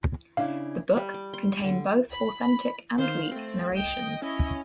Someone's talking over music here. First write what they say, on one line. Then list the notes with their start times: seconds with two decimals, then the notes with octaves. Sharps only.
The books contain both Authentic and weak narrations.
0.37 C#3 D4 E4 F5
0.97 G3
1.14 D6
1.33 C6
1.53 C#6
1.64 D3
2.11 B5
2.98 D#3 C5 F5
3.32 A3 C4
3.76 D#5 G5
4.22 C#4 E4 D#5